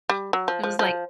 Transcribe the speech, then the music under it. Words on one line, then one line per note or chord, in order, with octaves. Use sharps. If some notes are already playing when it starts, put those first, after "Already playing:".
It was like
G3
F#3
F3
F3
F3